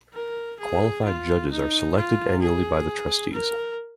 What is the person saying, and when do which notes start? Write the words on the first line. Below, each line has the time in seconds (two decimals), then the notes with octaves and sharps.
Qualified judges are selected annually by the Trustees.
0.14 A#4
0.60 G#4
1.05 F4
1.51 D#4
1.97 F4
2.42 G#4
3.33 A#4